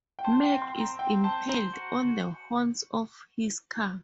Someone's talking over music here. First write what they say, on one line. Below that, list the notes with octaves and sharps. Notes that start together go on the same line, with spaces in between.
Mac is impaled on the horns of his car.
G5
C5 A5
G5
C4
C6
C4
A#5
C4 G5
C5 A5
C5 A#5
F#4